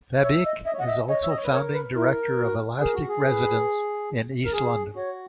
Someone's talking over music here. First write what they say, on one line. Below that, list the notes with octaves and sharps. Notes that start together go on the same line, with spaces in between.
Fabyc is also Founding Director of Elastic Residence in East London.
C#5 E5
D#5
D#5 E5
C#5
D#5 F#5
E5
C#5 D#5
E5
D#5
C#5
B4
A#4 C#5
B4
E4 A#4
F#4
G#4 A#4
F#4
G#4
B4
A#4
G#4
F#4 C#5